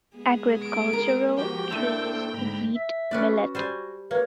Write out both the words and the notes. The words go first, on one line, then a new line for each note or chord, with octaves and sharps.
Agricultural, trees, wheat, millet.
G#3 B3 G#4
D7
A#4
F3 F#4 G4 G5
A2 A3 A#3 D4 A4 C5
G#2 D3 G#3 A#5 B5
E5
C#4 B4 D5
F#4
G3 C5 G#5
A#3 B4 C#5